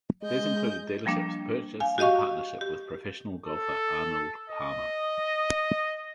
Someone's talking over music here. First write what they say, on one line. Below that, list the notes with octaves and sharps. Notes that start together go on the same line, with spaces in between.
These included dealerships purchased in partnership with professional golfer Arnold Palmer.
G#3 D#5 G6
F3 G3 A#3 D4
F5 G#5
F#4 G4 D#5 F5 C#6
G4
A4
D#5